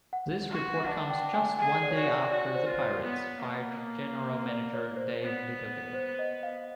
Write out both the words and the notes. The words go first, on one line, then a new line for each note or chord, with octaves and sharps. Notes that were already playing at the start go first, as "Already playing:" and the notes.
This report comes just one day after the Pirates fired General Manager Dave Littlefield.
F#5
F#4
D4 F#5
G5
G#5
G#4 G#5
D5
C#5
F#4 D5
D5
F#4 D5
C5
F4
C#5
B3
A#3
D5
C#5
C5
B3
C5
D#5
F5